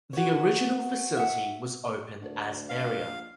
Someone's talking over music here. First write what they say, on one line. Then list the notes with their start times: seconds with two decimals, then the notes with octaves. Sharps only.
The original facility was opened as area.
0.13 F#4 C#5
1.17 E5 F#5
2.22 D2
2.69 F5
3.07 A#1